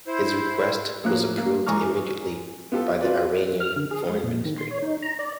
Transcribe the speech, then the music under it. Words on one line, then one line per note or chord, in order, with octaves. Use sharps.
His request was approved immediately by the Iranian Foreign Ministry.
E4 C5
A1 A2 F3 A#3 F#6
A#3
G#2 E3 A#5 C#6 D6 F6
B3 F4 G4 A4
C4 F4 F#4 B4 D5
F6
D3
G#4
G#3
A#2
D#3
C6
C#5
D#4
A#5
D5